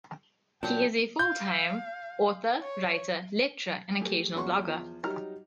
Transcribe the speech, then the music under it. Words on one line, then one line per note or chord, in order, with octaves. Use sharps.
He is a full-time author, writer, lecturer and occasional blogger.
A#2 D3 F#3 D4 G5
F5 G6
C#5
A3 G4 G#4
E2 A#2 C#4 F#4 C6 C#6
E2 F3
F#3 G3 D#4 G4 A#5 F6